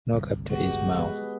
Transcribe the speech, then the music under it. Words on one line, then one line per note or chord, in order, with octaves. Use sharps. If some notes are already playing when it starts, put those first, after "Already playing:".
The capital is Mao.
G1 C2
G#3 B3 F#4 G4
G#3 B3 B4